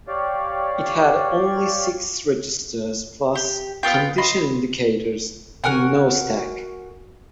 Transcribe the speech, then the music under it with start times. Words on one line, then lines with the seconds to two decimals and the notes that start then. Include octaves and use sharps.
It had only six registers plus condition indicators, and no stack.
0.08 G4 C#5 D5 F5
3.35 G4
3.83 B3 F4 G5
4.18 D#5 B5 C6
5.64 F#4 A#4 F#5 G#5